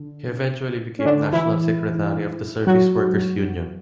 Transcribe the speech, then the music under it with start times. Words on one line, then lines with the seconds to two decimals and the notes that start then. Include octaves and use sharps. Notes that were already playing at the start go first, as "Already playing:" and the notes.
He eventually became National Secretary of the Service Workers' Union.
Already playing: D3
0.99 C#4
1.05 D3 D4
1.33 E3 E4
2.67 F#3 F#4